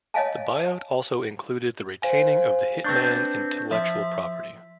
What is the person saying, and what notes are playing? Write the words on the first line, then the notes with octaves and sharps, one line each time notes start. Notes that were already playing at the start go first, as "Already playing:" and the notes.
The buyout also included the retaining of the "Hitman" intellectual property.
C#5 D#5 F5 G#5 A5
C5 F5 G#5
C4 D4 B4 C#6 G6
F3 E5 B6